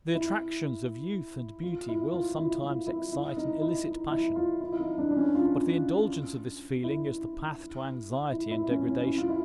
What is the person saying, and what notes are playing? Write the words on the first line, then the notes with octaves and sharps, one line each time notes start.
The attractions of youth and beauty will sometimes excite an illicit passion, but the indulgence of this feeling is the path to anxiety and degradation.
E4
F4
E4
F4
E4
F4
E4
E4
D#4
E4
E4
E4
F4
E4
E4
D#4
D4
D4
C#4
F4
E4
E4
E4
C#4
C#4
E4
F4
E4